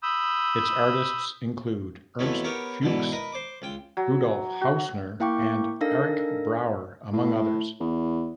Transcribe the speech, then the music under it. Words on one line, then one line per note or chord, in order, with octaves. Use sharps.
Its artists included Ernst Fuchs, Rudolf Hausner and Arik Brauer among others.
B5 D#6 E6 G6
F2 E3 F#3 A3 B3
B3 G4 A#4 C#5
G#2 B2 D3 E3
A#4 B4 D#5
C5 D6
C#2 G5
F#3
F#4
A#3 E4 F5 G5 C#6 D6
D4 D#4 A4 A#4 F5 A#6
A2
E2